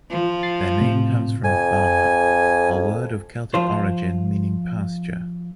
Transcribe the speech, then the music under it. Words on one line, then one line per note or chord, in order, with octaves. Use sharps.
Their name comes from “bar”, a word of Celtic origin meaning pasture.
F3
A6 C7
A2 C3
F2 G#5
F3 F4 C5